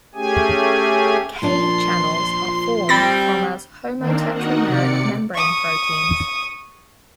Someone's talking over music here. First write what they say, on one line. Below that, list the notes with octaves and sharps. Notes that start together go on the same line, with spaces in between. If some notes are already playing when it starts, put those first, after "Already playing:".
K channels are formed from as homotetrameric membrane proteins.
A3 C#4 G4 G#4 G#5
A#2 F3 D4 C6
G3 C4 B5 A6 A#6
D#3 A#3 C4 D4
D#4 F#4 A#4 F#5
C3 D5 C#7
C#6 D#6